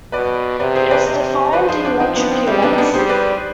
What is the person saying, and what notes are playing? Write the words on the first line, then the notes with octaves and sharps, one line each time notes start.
It is defined in metric units.
B2 B4 D5
C3 B4 D5
G#4 C5
B4 D5
C3 C5 D#5
F3 B4 D5
G#4 C5
D4 F4
F3 C4 D#4
B3 D4
C4
G3 C4
B3 D4
D#4
B3 D4
G3 G#4 C5
B4 D5